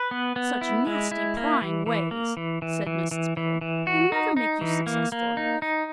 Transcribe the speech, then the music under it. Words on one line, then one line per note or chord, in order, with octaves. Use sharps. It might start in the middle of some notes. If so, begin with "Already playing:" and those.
'Such nasty, prying ways,' said Mrs Biddle, 'will never make you successful in life.
Already playing: B4
B3
B3
E4
G#3
E4
A#3
E3
E3
A#3
E3
E3
E3
E3
E3
E3
F#4
D#4
D#4
E3
A#3
A#3
D#4
D#4